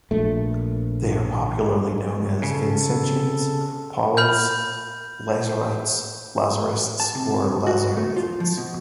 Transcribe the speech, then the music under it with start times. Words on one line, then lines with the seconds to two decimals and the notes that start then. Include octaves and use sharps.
They are popularly known as Vincentians, Paules, Lazarites, Lazarists, or Lazarians.
0.11 A#1 A3
2.43 C#3 A4
4.17 B5 F6 G6
7.00 A5
7.15 C3
7.67 F#4
7.97 A3
8.16 F4
8.40 F3
8.58 B2